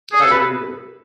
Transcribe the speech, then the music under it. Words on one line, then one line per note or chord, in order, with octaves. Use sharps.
I really do.
G#4
A4
B4